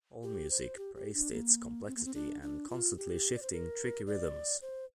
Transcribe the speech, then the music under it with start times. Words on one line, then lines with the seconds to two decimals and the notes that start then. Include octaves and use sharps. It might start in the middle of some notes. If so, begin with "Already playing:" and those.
Allmusic praised its complexity and "constantly shifting, tricky rhythms".
0.23 G4
0.51 C5
0.78 G4
0.95 G4
1.14 D4
1.32 A#3
1.87 C4
1.96 A#3
2.05 C4
2.14 D4
2.42 D4
2.70 F4
2.98 G4
3.35 D5
3.42 C5
3.52 A#4
4.07 D5
4.62 C5